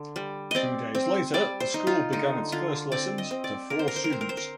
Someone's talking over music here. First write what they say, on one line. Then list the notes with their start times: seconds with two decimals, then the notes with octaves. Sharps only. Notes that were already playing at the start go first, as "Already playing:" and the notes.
Two days later, the school began its first lessons to four students.
Already playing: D3
0.16 G3
0.51 C4 D5 D#5
0.95 C4
1.34 G3 D5
1.60 C5
1.74 D#4
1.87 F4
2.13 D3 D#4
2.52 D3 F4
2.92 C4 D5
3.18 D#5
3.31 C4
3.44 D5
3.70 D3 A#4
3.79 C5
3.88 A#4
3.96 C5
4.04 A#4
4.10 C4 C5
4.21 A#4
4.29 C5
4.37 A#4